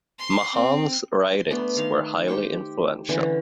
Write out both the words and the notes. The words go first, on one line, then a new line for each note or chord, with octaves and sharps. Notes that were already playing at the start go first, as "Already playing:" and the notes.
Mahan's writings were highly influential.
C6
C4
C6
A3 B3 D4 C6
D#3 F5 C6
G4 C5 G5 C#6
D3 E3 C#4